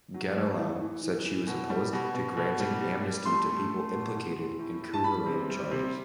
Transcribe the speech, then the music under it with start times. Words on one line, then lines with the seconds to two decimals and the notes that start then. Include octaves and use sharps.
Ganilau said she was opposed to granting amnesty to people implicated in coup-related charges.
0.14 F#3
0.36 A3
0.58 E3
0.80 E3
1.03 E3
1.25 E3
1.47 B2
1.70 G3
1.93 B2
2.14 B2
2.37 B2
2.60 G3
2.81 G3
3.04 G3
3.25 A3 C6
3.49 A3
3.70 A3
3.93 B2
4.15 E3
4.38 E3
4.59 A2
4.82 A2
4.94 A5
5.04 G3 B5
5.26 C3
5.49 G3
5.71 C3